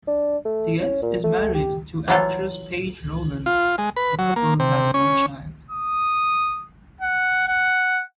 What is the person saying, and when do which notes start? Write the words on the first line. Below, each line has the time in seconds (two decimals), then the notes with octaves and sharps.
Dietz is married to actress Paige Rowland; the couple has one child.
0.07 D4
0.45 A3
0.79 C#4
1.02 A#2
1.24 A3
1.55 G4
2.08 E3 F#3 F4 A4
3.46 F4
3.78 G#3
3.96 B4
4.19 F#3
4.36 A#3
4.60 C3
4.94 C#4
5.71 D#6
7.01 F#5
7.47 F#5